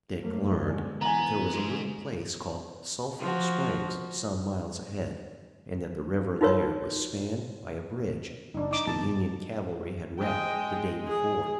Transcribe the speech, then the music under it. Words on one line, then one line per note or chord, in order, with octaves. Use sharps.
Dick learned that there was a little place called Sulphur Springs some miles ahead, and that the river there was spanned by a bridge which the Union cavalry had wrecked the day before.
F#2 A3 A#3
B2 D3 G#3
E3 B3 G#5 A#5
G#2 G#3
F3 F#4
D#4 F4 F#4 A#4 B4 C#5
F#1 D4 D#4
D#4 D6
F1 B2 D#3 A5
G#3 D#5 G5
G#4